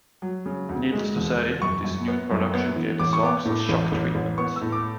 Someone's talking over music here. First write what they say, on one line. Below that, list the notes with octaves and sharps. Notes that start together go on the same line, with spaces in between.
Needless to say, this new production gave the songs a shock treatment.
F#3
C#3
D2
G#3
E1
E1
F#2 C#6
F#2
B3
F#2
B3
E3
A1 D6
C#6
B3 D6
A2
A1
A1
A1
B3 C#6
E6
A2
D6